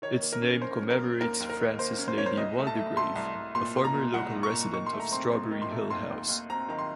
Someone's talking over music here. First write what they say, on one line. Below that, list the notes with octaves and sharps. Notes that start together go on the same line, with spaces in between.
Its name commemorates Frances Lady Waldegrave, a former local resident of Strawberry Hill House.
D#3 C#5
A#3
A#4
C#4
C#4 C5
C#4
A#4
A#3
D#2 A#4
D#2
A#4
D#3
A#3 C5
C#4
C5
A#3 C#5
C5
C2 D#5
A3
A5
A3
A3 C6
C2
C2
A#2 C6
A#2 C6
A#5
A#2
C2 F#5
C2
C#6
A#2
D#3 C#6
C6
A3
A#5
C4 C6
D#2 C6
D#3
C6
A3
D#2 C6
D#2
D#2
C4 A#5
D#3 A#5
C6